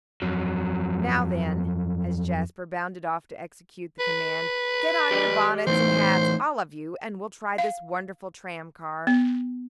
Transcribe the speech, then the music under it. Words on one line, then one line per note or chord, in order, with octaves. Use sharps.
Now then," as Jasper bounded off to execute the command, "get on your bonnets and hats, all of you, and we'll try this wonderful tram-car.
F2 F#3
B4
G4 D5 D#5
E3 A3 D#4 C5
F5
B3